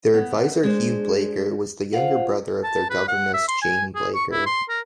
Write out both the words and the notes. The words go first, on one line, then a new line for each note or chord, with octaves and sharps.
Their advisor Hugh Blaker was the younger brother of their governess Jane Blaker.
B3
G#3 D4 G#4 C5
F4 C5 F5 F#5
A5
B4
F#5
E5
C6
G#5
G#4
C#6
E4
C6
A#4